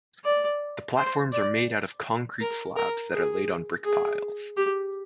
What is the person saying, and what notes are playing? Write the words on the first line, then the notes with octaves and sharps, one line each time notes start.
The platforms are made out of concrete slabs that are laid on brick piles.
D5
C5
D5
A#4
A#4
G#4
G#4
G4